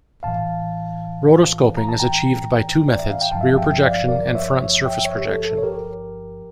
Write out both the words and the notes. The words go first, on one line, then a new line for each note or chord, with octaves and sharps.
Rotoscoping is achieved by two methods, rear projection and front surface projection.
A1 A2 E3 F5 A5
A#5
A5
G5 A#5
D5
E5
F5
G5
G1 G2 F3 F5 A5
E5
F5
E5 G5
D5 F5
A#4 D5
D5
C#5 E5
C#5 E5
E5 G5
C#5 E5
G4
A4
A4
C#5
G4 A#4